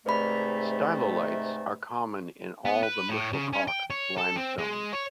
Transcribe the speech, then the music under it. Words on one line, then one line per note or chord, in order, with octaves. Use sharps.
Stylolites are common in all the Muschelkalk limestones.
G#2 C3 A3 B4 D5 B5
B3
B4
A2
C#3
C#4
G5
C#5
A4
C4
G#3
C#5